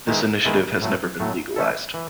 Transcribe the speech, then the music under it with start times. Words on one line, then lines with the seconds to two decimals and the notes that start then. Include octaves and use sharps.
This initiative has never been legalised.
0.07 D#3 G#3 B3 E4
0.45 D#3 G#3 B3 E4
0.82 A2 F#3 A3
1.20 A2 F#3 A3
1.56 E3 A3 C#4 E4 A4
1.94 E3